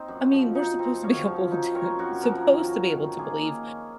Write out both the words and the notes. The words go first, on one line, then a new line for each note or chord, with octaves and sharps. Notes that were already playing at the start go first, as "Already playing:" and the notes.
I mean, we're supposed to be able to, supposed to be able to believe
Already playing: C4 D#4 C5 D#5
F#2
F3
D#4
C4
F#2 C#5 F5
F3
D#4
C4 A#4 C#5
F#2 F#4 A#4
F3 F#4 A#4
D#3
C#4
D#3
A#3 F4 G#4
D#3
C#4